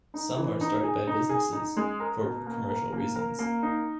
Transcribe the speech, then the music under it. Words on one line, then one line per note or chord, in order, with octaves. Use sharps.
Some are started by businesses, for commercial reasons.
D#4
E3
D#4
G#4
D#4
G#4
D#4
G#3
A#4
B2
A#3
A#4
A#3
A#4
A#3
D#4